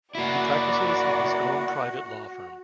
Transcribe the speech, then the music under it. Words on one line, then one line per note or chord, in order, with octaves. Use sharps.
He practices in his own private law firm.
A#3 E4 F#4 D5 F#5